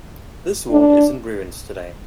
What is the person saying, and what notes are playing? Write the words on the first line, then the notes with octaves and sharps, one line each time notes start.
This wall is in ruins today.
D4